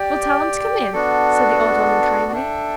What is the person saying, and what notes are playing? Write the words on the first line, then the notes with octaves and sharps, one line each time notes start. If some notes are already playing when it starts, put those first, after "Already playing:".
"Well, tell him to come in," said the old woman kindly.
Already playing: G4 D5 G5
B3 D4 F#4 A4 D5
D4 A4 E5 G5